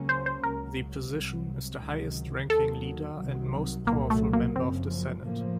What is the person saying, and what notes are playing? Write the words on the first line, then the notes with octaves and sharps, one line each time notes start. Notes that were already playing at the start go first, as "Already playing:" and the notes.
The position is the highest-ranking leader and most powerful member of the Senate.
Already playing: C#2 C#3 F#3 A#3 C#4
C5
C5
C#2 C#3 F#3 A#4
C2 C3 F#3
C#2 C3 D#3 F#3
D#2 D#3 F#3 A4
C2 C3 D#3 F#3
C2 A#2 F#3 A#3
A3
A#3
F#1 F#2 F3 C4
A2 F3 A#3